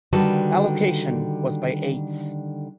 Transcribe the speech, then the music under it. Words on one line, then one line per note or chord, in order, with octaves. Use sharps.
Allocation was by eighths.
D3 D#3 G3 F#4 B4 A5